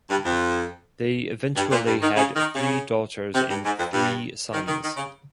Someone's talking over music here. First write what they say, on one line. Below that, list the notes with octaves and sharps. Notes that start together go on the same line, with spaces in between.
They eventually had three daughters and three sons.
G2
F2
G2
A#2
G2
D#3
C#3
D#3
C#3
C3
G2
G#2
F2
G2
D#3
D#3
D#3
C#3